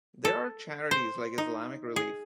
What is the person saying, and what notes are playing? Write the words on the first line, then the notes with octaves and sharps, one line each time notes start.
There are charities like Islamic Relief.
A4
C5
D#4
G#4